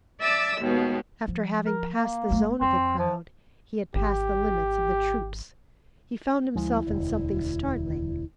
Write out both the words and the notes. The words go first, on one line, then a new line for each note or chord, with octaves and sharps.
After having passed the zone of the crowd, he had passed the limits of the troops; he found himself in something startling.
D5 E5 A5 D6 E6
D#2 B2 G#3 B3
F3
A#4
A#3
G1 A3
F2 C4
F3
G#1 G4
D2 F3 G#3 E4
E1 D2